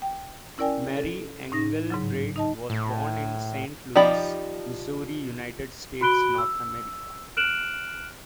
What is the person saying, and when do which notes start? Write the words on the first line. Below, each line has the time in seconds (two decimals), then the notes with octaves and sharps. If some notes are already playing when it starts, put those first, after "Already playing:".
Mary Engelbreit was born in Saint Louis, Missouri, United States, North America.
0.02 G5
0.58 C#4 E4 A#4 D5 G5 G#5
0.97 A4
1.52 A2 D#4 A#6
1.90 G#2 C#3 F#3
2.36 D#4 D#5 A5
2.70 A2
3.96 F3 D#4 G4 D5 B5
6.01 F#4 B5 F#6 D7 G7
6.38 E6
7.37 F6 F#6 D7 E7 F#7